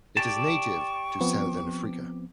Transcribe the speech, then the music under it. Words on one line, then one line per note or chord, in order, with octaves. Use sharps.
It is native to Southern Africa.
G4 D5 A5 C#6
F3 B3 C4